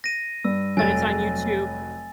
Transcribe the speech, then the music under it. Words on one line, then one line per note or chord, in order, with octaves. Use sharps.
But it's on YouTube
A#6 D#7
G2 E6
F1 F#3 G#5 A6